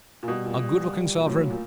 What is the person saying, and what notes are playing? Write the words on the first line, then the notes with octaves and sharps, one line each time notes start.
A goodlooking sovereign.
A#2
B2 G3
A#2
G3
A#2
A2 F#3
A#2